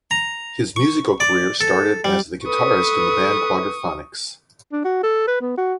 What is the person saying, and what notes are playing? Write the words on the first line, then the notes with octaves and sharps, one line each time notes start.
His musical career started of as the guitarist in the band Quadraphonics.
A#5
C#6
D5
A4
G3
A4 B4 C#6 D#6
D4
F#4
A4
B4
B3
F#4